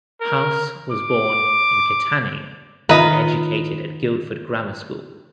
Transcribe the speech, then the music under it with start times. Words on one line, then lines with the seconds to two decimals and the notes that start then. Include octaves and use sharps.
House was born in Katanning and educated at Guildford Grammar School.
0.21 A#4
0.91 D6
2.89 D#3 F4 B4 D#5 A#5